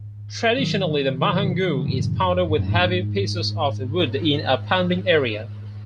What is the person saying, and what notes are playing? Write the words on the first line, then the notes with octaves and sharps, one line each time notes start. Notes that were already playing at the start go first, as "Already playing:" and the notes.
Traditionally the mahangu is pounded with heavy pieces of wood in a 'pounding area'.
Already playing: G#2
D#3 F#3
C#3 E3
C#3 E3
A2 C#3
C#3 E3
D#3 F#3
C#3 E3
F#2 A2
F#2
G#2
F#2 A2
G#2
G#2